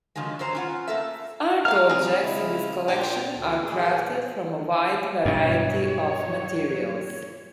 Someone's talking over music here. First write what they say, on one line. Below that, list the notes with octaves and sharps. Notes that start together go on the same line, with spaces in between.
Art objects in this collection are crafted from a wide variety of materials.
D3 D#3 F3 F#3 G#3
F#2 F#3 C5 A#5
C#4 F4 F#5
A3 A#3 A4 E5
A#4 F5 F6
F3 G3 C4 G#4
C#3 G#3 E4
A#2 D4 G5
D2
A#2 E3 G#4
G2 B2 F#3 C#5